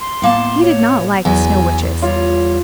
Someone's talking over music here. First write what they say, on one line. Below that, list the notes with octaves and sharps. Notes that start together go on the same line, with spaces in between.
He did not like the Snow Witches.
C6
A2 A#3 A5
C#5
E2 F#3 G#5
G3 F4 C#5